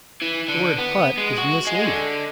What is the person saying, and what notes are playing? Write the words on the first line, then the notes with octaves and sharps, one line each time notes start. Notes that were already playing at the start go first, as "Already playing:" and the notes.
'The word "hut" is misleading.
E3
D3
B3
G#3
F#4
G#3
D3